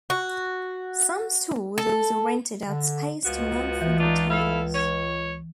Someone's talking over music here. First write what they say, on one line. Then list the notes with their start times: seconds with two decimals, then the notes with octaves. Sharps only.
Some stores also rented out space to non food retailers.
0.10 F#4
1.78 A4
2.66 D3
3.25 C#2 F3 B3 F#4
3.82 E3
4.00 D4 D#4 F4
4.30 E4 A4 F5
4.75 C#5